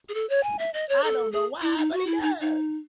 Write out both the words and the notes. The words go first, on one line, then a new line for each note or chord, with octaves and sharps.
I don't know why, but he does.
G#4
A4
C#5
G#5
E5
D#5
C#5
A4
G#4
E4
D#4
F#4
E4
D#4
D#4